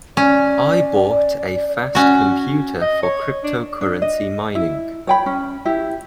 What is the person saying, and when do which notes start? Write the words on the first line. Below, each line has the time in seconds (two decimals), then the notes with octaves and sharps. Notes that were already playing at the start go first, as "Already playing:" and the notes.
I bought a fast computer for cryptocurrency mining.
0.17 C#4 D5
1.95 C#4 F#4
2.81 D#5
3.03 C#5
3.44 D4
3.81 D4
4.02 D#5
4.55 E4
5.07 C#5 G5 B5
5.26 C#4
5.65 E4 G4